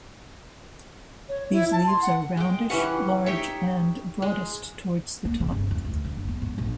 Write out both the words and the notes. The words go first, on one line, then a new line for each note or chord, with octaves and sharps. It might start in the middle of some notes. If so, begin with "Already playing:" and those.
These leaves are roundish, large, and broadest towards the top.
C#5
E4
A5
C6
F#5
G#3 G5
E3 G3 C#4 F#5
D#4 G4 C#5 E5
G#3
A#3
C#3
G1
E2
D2
D3
F#1
B3
G#2
A#1